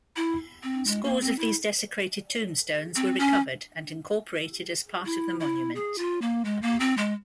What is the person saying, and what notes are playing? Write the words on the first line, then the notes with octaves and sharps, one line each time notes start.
Scores of these desecrated tombstones were recovered and incorporated as part of the monument.
E4
C4
G#3
A#3
C4
E4
C4
C#4
E4
E4
G#4
F4
A#3
G#3
A#3
C4
G#3